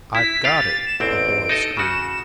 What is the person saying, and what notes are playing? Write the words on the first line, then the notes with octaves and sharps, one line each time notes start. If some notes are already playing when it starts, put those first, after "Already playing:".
"I've got it!" a boy screamed.
E4 B6
G4 B4 F5 A6
E7
A1 E2 C4 D7
D#4 A4 D#5
C#3 F#4 E7